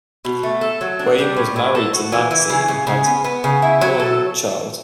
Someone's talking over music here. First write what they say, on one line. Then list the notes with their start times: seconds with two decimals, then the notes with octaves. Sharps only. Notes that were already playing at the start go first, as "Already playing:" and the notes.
Wayne was married to Nancy and had one child.
0.25 B2
0.43 A3
0.61 A4
0.81 F#3
0.99 D4
1.19 G3
1.37 A2
1.56 A2
1.75 A4
1.93 F#4
2.12 E3
2.31 E3
2.50 C#3
2.68 C#3
2.87 C#3
3.06 B3
3.24 B3
3.44 C#3
3.62 E4
3.81 F#3
4.00 A4